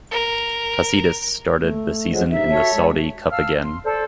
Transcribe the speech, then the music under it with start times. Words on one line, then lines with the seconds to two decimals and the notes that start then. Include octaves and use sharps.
Tacitus started the season in the Saudi Cup again.
0.11 A#4
1.61 A3
2.10 F3 F#3 G#3
2.31 C3 D#4 E5
2.50 F#4 A4 C#5
2.74 G#3
3.31 F5 A5 E6 F6
3.63 C6
3.84 A4 C5 D5